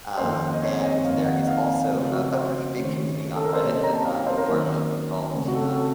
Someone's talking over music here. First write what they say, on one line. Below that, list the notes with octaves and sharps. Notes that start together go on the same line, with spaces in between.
uh, and there is also a a pretty big community on Reddit that I'm a part of called, uh,
F2 D#3 A#3 C#4 C5
D#5
C#5
D#5
F2 D#3 A#3 F5
F#5
D#5
F5
F5
C#3 F3 A3 D#5
F#4
C5
D#3 A3 C#4
A4
A#4
C5
C3 F#3 A#3 C#4 C#5
D#5
A#5
A5
F5
C#5
C5
A#4
D#3 F#3 A#3 C#4
C#3 A3 C4
F#4
A4
A4